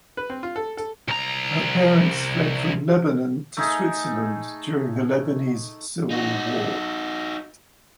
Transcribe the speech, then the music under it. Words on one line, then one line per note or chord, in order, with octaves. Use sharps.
Her parents fled from Lebanon to Switzerland during the Lebanese Civil War.
B4
C4
F4
A4
A4
C2 A#5
A3 D#4 G#4
D#4 F#4